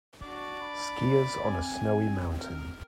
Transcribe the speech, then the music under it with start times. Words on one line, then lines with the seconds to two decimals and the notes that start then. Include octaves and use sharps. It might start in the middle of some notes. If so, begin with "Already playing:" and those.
Skiiers on a snowy mountain.
0.22 D4 F#4 D5
0.61 B5
1.42 C4 G#5
2.39 A#4